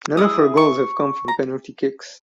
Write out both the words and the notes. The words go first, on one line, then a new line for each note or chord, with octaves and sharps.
None of her goals have come from penalty kicks.
C#4 E4 G#4 D#6
C#6
A#5